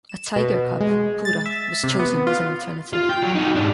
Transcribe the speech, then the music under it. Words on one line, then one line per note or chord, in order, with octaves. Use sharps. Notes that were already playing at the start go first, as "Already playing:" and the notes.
A tiger cub, Pura, was chosen as an alternative.
E7
B2
G#3
A6
E5
C3
B3
F4
F4
G5
F#3
D#4 F#4
G#2 D4